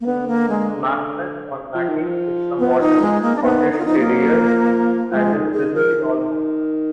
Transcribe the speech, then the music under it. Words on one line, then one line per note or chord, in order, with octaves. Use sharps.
Macbeth, or "Mackie", is the Morton's Scottish terrier and is present in all books.
A#3
D3 B3
A#3
G#3
F3
D#3
F3
B3
D#4
G#3
A#3
D4
D#3 B3
D3
D#4
F4
F3 D#4
A#3
F#3
F3
F3 G#3
D#3
D#3 G#4
F3 A#4
D#3